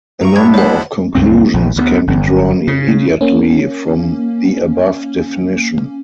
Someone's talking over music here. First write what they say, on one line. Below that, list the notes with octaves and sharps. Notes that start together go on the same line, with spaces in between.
A number of conclusions can be drawn immediately from the above definition.
G2 A#5 C#6
B3 D4 E4 G#6
G#3 C5 C#5 F#5 B5
C#2 G2 F#3 C4
A#1
D2 G3 B3
G1
C#3
A#3 C#4